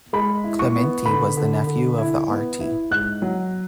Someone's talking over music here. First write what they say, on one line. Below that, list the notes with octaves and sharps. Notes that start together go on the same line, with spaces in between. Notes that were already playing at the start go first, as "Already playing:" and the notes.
Clementi was the nephew of the Rt.
G#3 B5
E4
C#6
B3
D3 B5
D3
D3
E4
B3
E4
G#2 F#6
F#3